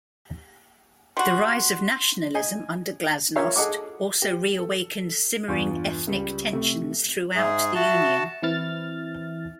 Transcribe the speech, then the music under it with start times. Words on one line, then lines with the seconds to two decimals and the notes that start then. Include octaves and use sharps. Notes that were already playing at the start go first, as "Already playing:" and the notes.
The rise of nationalism under glasnost also reawakened simmering ethnic tensions throughout the union.
1.17 G3 F#4 C6
2.35 D#5 G#5
3.36 F4 A#4 C#5 E5 F5
3.56 G#4 A4 D#5 F#5 D6
4.22 G4
4.59 A4
5.48 E2 G2 F4 C#6
6.07 C#2 G3
6.53 C3 A3
7.36 G#2 G#4 E5
7.75 F#4 E5 A5
8.43 E3 C4 E4 F6 A6